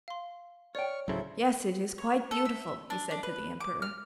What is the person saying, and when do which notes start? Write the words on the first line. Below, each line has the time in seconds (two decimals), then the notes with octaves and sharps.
'Yes, it is quite beautiful,' he said to the Emperor.
0.08 F5 C6
0.75 C#5 D5 G5 C#6 F6
1.08 D1 C#3 F#3 E4 A4 C5
1.98 C#5
2.31 A4
2.45 E5
2.90 D4
3.11 D4
3.23 B4
3.60 D6
3.82 F6